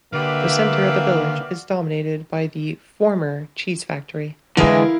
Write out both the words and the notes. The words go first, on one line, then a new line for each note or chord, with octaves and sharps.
The centre of the village is dominated by the former cheese factory.
D3 A#3 F#4 G4 B4 D5 E5 F5
D3 E3 G#3 E4 A#4 F5